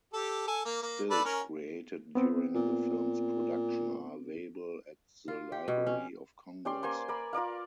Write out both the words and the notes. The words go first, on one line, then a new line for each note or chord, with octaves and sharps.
Stills created during the film's production are available at the Library of Congress.
G4 A4
A4 G#5
A#3
A#3
A4 B4 D5
C#4 A#4
B3 C4
A#2
F4
G4
B2
C#4
C#4 G4 D5 C6
A#3 C5 G#5 C6
A#4 D5 B5
F4 A#4 D5 F5